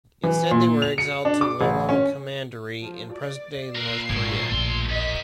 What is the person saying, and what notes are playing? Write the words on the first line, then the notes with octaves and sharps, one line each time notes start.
Instead they were exiled to Lelang Commandery in present-day North Korea.
E3
A#2
F7
C#7
D4
D6
A1
C#4
F3
D5
A#2 A#4 B4 E6 C7
G#1 F#2 A2
D1 A#1 A3 C6
F#2 D#5 B6